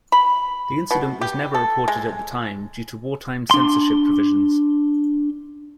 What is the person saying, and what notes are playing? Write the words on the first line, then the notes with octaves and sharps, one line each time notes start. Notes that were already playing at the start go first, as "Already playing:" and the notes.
The incident was never reported at the time due to wartime censorship provisions.
B5
B2
G4
A4
G#3
D4 C6